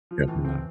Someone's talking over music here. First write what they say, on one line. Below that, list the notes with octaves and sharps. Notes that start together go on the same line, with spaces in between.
definitely not.
F3
A2 E3
C4